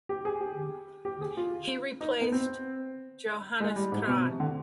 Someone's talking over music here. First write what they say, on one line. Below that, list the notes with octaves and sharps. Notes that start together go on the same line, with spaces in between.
He replaced Johannes Kraan.
G4
G#4
G4
G4
G#4
F4
D#4
B3
C4
G#3
G3
G#2
B2
C3
D3